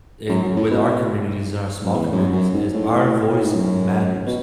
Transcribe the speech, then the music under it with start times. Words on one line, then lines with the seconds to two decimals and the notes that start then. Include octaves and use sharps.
in with our communities, and our small communities, is our voice matters.
0.29 F#2
0.43 F#2
0.56 A2
0.70 B2
1.84 F#2
1.93 E2
2.12 F#2
2.33 F#2
2.54 G#2
2.74 A2
3.30 A2
3.42 G#2
3.55 F#2
4.26 B2